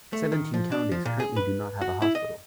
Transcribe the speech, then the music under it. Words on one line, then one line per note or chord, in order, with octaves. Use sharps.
Seventeen counties currently do not have a hospital.
A3
D#3
F3
D4
F3
A#2
G#4
B4
F#4
E4
D#5